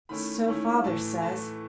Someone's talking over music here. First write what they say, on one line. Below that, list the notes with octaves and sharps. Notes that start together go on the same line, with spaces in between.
'So father says.
D#3 A3 C#4 E4 B5
D#3 A3 C#4 E4
A2 E3 A3 A5
A2 E3 A3 A5